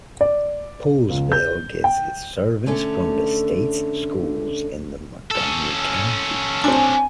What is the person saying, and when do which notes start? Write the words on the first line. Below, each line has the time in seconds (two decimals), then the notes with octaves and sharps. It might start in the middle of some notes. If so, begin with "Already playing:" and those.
Poolesville gets its servants from the States Schools in the Montgomery County.
0.21 D5
1.10 C#2
1.32 G6
1.84 G5
2.66 D3 A3 C#4
5.31 C#4 A4
6.64 C4 D4 G#5